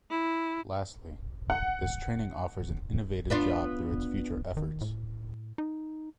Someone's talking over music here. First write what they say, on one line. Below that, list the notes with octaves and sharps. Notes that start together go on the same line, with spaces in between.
Lastly, this training offers an innovative job through its future efforts.
E4
F#5
B3 D4 F4
D#3
A2
D#4